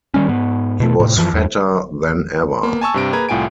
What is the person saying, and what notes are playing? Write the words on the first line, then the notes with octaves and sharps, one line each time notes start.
He was fatter than ever.
D#3 E3 G3 C#4
G#2 B3
B2 A3
A2 C3
F#2 E3 F3
E2 G2
A#3 B3
G#5 A5 C#6 E6
G2 C3 D7
A#3 G#4 B4 A#5 G#6
C2 A2 F4 G5 G#5 D7